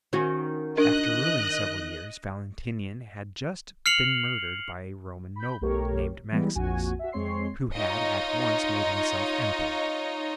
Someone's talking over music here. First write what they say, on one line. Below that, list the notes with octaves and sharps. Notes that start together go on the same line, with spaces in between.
After ruling several years, Valentinian had just been murdered by a Roman noble named Maximus, who had at once made himself emperor.
D#3 C#4 F#4
D4 A#4 D#5 F#6
F6 C7 C#7 F7 F#7
B5 G6
B1 A3 G4 A#4 C#5
E3 G3 G#3 B3
A#1 F2 F#4 G#5
F#4 E5
F2 G#3 C4 C#5 C6 C7
D#4 F4 C#5 D#5